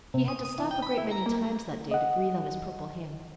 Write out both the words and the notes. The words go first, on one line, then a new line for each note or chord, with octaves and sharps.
He had to stop a great many times that day to breathe on his purple hands.
C3
D#6
D#6
E3
G5
B5
E4
A#5
A#3
D#5 F#5